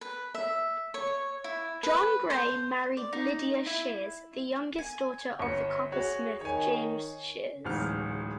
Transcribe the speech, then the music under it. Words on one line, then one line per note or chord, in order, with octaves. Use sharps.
John Gray married Lydia Shears, the youngest daughter of the coppersmith James Shears.
B4
E5
C#5
E4
B4
C5
D5
D#4
E4
G#5
G1 C#5 C#7
F#4 G#4 C#5
D#3 C#5 G#5
D1 A1 G#2 F6